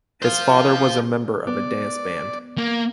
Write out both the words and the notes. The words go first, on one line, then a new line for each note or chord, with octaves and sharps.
His father was a member of a dance band.
C5 F5
B3 D5
A#3